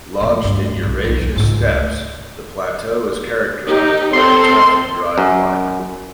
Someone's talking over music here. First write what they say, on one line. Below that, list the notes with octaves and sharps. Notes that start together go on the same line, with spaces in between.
Lodged in Eurasia’s steppes, the plateau is characterized by a tough and dry climate.
F2 A#2
D2 G2
B1
B1 E2
C#2 G#2
D2
D#4 G4
C4 A4 A#4 C6
F#2